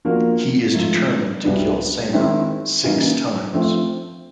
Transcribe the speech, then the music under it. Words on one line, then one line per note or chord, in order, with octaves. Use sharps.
He is determined to kill Sam "six times".
F3 A#3 D4 F#4 A#4
G#2 F3 A3
C2 B2 G3 B3 D4
D#3 G#3 C4 E4
C#3 E3 G3 A#3 D#4
F3 A3 C4